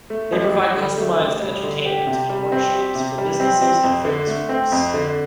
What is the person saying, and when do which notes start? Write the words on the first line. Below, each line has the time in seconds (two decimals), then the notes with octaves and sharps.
They provide customized entertainment and workshops for businesses and focus groups.
0.10 A3
0.32 A1
0.54 G2
0.76 D3
0.97 A3
1.19 A1
1.42 G2
1.63 D3
1.86 G4
2.07 C3
2.29 G3
2.52 C4
2.74 G4
2.95 C3
3.18 G3
3.40 C4
3.61 C4
3.84 F2
4.05 D3
4.27 A3
4.49 C4
4.72 F2
4.94 D3